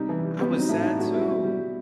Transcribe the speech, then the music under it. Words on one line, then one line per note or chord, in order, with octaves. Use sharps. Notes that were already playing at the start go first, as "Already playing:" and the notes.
I was sad too!
Already playing: C3 G3 D#4
E3
G3
G3 B3
F#3 C4
D#4
A2 E4
A2 D#4
F#3 F#4
G3 E4
F#4
B2 E4
G3
G3